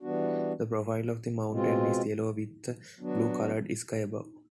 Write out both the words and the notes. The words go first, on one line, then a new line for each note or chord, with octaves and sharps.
The profile of the mountain is yellow with a blue-colored sky above.
E3 G3 B3 D4 F#4
B2 G#3 C4 F4
F#3 B3 D4 F#4